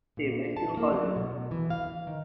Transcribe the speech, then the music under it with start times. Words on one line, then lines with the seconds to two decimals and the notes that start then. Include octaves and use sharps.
He went to Holland.
0.17 A#2
0.57 A5
0.77 A#3
0.92 F#3
1.16 B2
1.51 E3
1.70 F5
2.07 D#3